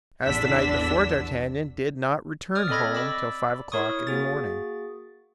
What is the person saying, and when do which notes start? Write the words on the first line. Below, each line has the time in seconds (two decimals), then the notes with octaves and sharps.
As the night before, d'Artagnan did not return home till five o'clock in the morning.
0.24 A1 E2 D3 D4 E6 B6
2.55 D5 D6 D#6 F6
2.69 C4 A4 D#5 B5 G#6 A#6
2.95 D5 B5 D6 E6
3.72 E4 A#4 C#5 C#6 D#6
4.07 A#3 F#4 G#4 A6